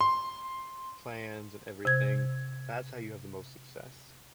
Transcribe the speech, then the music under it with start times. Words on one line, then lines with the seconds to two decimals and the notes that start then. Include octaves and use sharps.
plans and everything, that's how you have the most success.
0.01 C6
1.85 C3 G#6